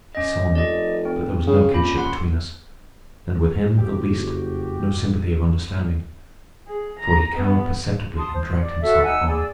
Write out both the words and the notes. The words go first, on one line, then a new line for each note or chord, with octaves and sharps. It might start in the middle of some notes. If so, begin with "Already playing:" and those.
He saw me, but there was no kinship between us, and with him, at least, no sympathy of understanding; for he cowered perceptibly and dragged himself on.
C#4 D#5
F1 D5 D#5
C4
C#3
A#2 C#4 B5
F#5 C6
F#1 F2 F#4 G4
G#4
A#5
B3
A5 C6 D#6
C5
D5
F#4 A4 E5
D#4 F#5 G#5 E6
G#4 D5 E6